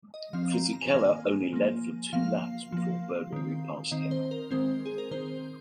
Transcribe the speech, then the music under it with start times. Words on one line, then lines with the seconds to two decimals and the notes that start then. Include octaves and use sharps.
Fisichella only led for two laps before Berger repassed him.
0.14 D#5
0.33 F3 C4 F5
0.53 A#5
0.73 A#5
0.82 G#5
0.90 F5
0.94 D#3 A#3 G#5
1.53 F3 A#3
2.13 F3 A#3 F5
2.72 F3 A#3
3.32 D#3 C4
3.91 D#3 C4 D#5
4.11 C5
4.31 A#4
4.51 D#3 G#3 C4 C5
4.86 G#4
4.98 A#4
5.11 D#3 C4 C5